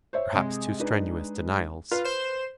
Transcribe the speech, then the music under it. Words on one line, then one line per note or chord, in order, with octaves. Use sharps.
Perhaps too strenuous denials.
C5 C#5 E5
C3 G#3
D4 D#4 B4
F4 B4
C5 E7